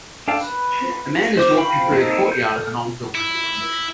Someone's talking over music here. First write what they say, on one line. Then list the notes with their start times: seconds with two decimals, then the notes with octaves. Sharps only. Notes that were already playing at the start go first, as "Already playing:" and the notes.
A man is walking through the courtyard of an old building.
0.28 D4 A4 F5 G5 A5
0.41 B4
1.37 C5 D6
1.57 F5 G5 B5
1.91 A#3 C4 D#4 A4
2.32 A4 G6
3.15 E4